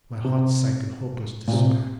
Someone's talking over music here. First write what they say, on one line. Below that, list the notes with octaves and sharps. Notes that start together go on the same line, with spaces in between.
My heart sank in hopeless despair.
C3
A#2
C3